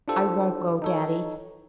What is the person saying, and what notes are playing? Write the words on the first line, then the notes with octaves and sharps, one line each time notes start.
"I won't go, daddy."
D4 E4 F4 G4 A4 C5
D#4 A4 C#5